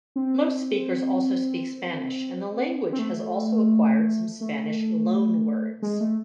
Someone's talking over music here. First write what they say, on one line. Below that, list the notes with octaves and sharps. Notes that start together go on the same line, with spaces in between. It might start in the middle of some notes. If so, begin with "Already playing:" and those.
Most speakers also speak Spanish, and the language has also acquired some Spanish loanwords.
C4
C4
A3
A3
G#3
A3